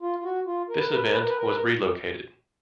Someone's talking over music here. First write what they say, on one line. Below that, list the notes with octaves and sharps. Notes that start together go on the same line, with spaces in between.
This event was relocated.
F4
F4
F#4
F4
A#4
B4
A#4
B4
A#4
B4
A#4
B4
A#4
B4
A#4